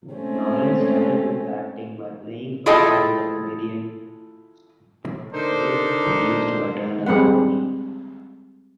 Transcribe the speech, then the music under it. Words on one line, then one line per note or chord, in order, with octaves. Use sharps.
Laurance started his acting by playing a part in the comedian “Birngev” produced by Turner Company.
G#3 A3 C4 C#4
E4 F4 G#4 A4 D#5 G5
D3 D4 D#4 A#4 C5
G3 G#3 C4 B4 F#5